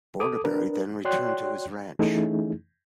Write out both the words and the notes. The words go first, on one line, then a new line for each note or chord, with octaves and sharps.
Bordaberry then returned to his ranch.
A4 D6 D#6
D4 A#4 B4
F#4 C#5 D5 G5 C6 F#6
E3 A3 C#4 D#4 E4 G#4